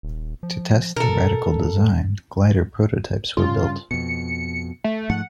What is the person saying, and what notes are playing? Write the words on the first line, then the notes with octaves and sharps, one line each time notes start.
To test the radical design, glider prototypes were built.
D#1
F3
B2 A4 A#4
F2
G2 C#3 F4
F2 B2 C#7
A3
G#2 F3 A3 F#5